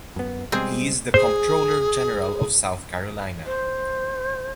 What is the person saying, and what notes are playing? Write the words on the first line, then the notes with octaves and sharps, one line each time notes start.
He is the Comptroller General of South Carolina.
F#2 B3
B2 G3 G#3 C4 G#4
G#4 C5
C5